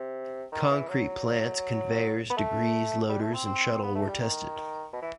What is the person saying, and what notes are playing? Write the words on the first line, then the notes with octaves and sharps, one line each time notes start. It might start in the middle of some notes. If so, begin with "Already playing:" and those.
Concrete plants, conveyors, degrees, loaders and shuttle were tested.
Already playing: C3
D#3
E3
F#3
B3
A3
G3
A3
C4
C4
B3
A3
G3
D#3
B2
E3